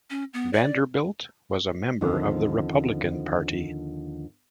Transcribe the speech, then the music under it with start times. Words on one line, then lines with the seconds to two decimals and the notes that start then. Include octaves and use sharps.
Vanderbilt was a member of the Republican Party.
0.10 C#4
0.34 B3
0.53 D5
2.01 D#2 D3 F3 C4 C#4